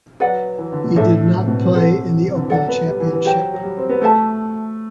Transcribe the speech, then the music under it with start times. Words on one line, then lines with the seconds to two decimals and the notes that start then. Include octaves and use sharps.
He did not play in The Open Championship.
0.20 F#3 B4 D5 F#5
0.58 E3
0.72 D3
0.84 B2
0.96 A2 D4 A4 E5
1.35 A2
1.42 C3
1.48 B2
1.60 C3
1.74 F#4 A4 C5 F#5
2.26 C3
2.35 D3
2.42 E3
2.49 F#3 A4 D5 F#5
2.68 B3
2.88 G3
3.00 E3
3.13 E3
3.25 F#3 G4 C5 G5
3.53 F#3
3.63 G3
3.77 C4
3.89 B3
4.01 A3 F#4 A4 E5 A5